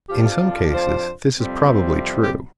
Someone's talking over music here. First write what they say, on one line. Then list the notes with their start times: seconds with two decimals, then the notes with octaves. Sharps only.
In some cases this is probably true.
0.10 F2 F3 D4 F4 G4
0.74 C5
1.38 F2 C3 G3 C4
2.24 G4